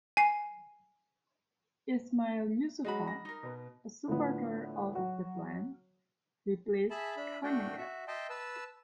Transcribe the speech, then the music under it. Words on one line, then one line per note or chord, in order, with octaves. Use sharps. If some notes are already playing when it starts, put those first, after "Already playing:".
Ismail Yusupov, a supporter of the plan, replaced Kunayev.
G#5 C7
F#3 G#3 D#4 F#4 B5
A#6
D#4 A#4
B2 B3
A2 D3 F3 B3
F#3 F#4
G#4 E5 A5 B5
D4 E5 B5
A3 D4 F#4 G5
F#4 E5
D#5 E5 G5 A5 C6
B4 A5 E6